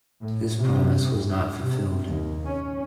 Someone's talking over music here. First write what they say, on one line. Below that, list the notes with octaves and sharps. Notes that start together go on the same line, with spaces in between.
This promise was not fulfilled.
A2
C3
G#2
C3
D#2
C#4